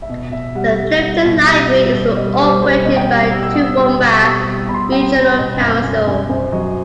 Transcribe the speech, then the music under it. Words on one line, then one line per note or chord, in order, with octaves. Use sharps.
The Clifton Library is operated by the Toowoomba Regional Council.
E5
B2 D#5
B2 E5
G3 F#5
G3
G3
B2
G3 E5
G3
B2
G3 D#5
G3 C5
G3 C5
B2 D#5
G5
G3 F#5
G3 E6
E6
B2 D#6
G3 E6
B2
G3 D#6
E6
G3
D#6
B2 B5
C6
G3 G5
G3
B2 D#5
F#2
F#2
F#2
F#2 C5
F#3 D#5